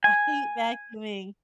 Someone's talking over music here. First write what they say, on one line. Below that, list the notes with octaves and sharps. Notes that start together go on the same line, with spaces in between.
I hate vacuuming.
G#5